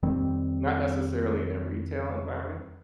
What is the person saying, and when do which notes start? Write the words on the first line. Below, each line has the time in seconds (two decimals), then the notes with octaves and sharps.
not necessarily in a retail environment,
0.03 F2 D#3 G3 C4